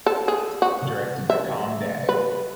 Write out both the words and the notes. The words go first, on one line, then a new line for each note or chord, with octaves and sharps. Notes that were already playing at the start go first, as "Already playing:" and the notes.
Directed by Tom Dey.
A4
G#4
F#4
E5
B4